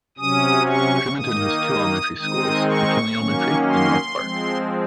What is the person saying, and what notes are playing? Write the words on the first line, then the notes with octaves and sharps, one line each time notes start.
Tremonton has two elementary schools, McKinley Elementary and North Park.
C3 F#3 C#4 D#6
C#6
D#3 A#3 D#4 D#6
D#3 G#3 C4 D#4 D#6
C#6
D#3 F#3 A#3 C#4
C6
F3 G#3 C4